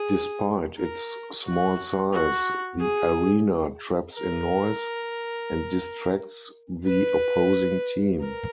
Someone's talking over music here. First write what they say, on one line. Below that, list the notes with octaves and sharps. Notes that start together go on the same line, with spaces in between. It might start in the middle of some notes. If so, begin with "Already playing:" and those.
Despite its small size, the arena traps in noise, and distracts the opposing team.
Already playing: G#4
A#4
F#4
F#4
G#4
A#4
B4
A#4